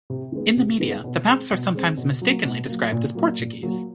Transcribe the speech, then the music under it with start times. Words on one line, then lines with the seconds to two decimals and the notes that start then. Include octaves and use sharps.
In the media, the maps are sometimes mistakenly described as Portuguese.
0.10 C3
0.32 D#3 G#3 B3
0.57 C3
0.80 D#3 G#3 B3
1.04 B2
1.27 G#3 C4
1.51 B2
1.75 G#3 C4
1.97 B2
2.21 F#3 A#3
2.45 B2
2.68 F#3 A#3
2.92 A#2
3.15 F#3 A#3
3.39 A#2
3.63 F#3 A#3